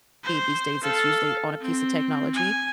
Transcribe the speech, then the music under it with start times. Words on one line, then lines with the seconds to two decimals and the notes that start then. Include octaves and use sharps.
these days, it's usually on a piece of technology,
0.24 C5
0.83 A4 F5
1.61 C4
2.34 G#5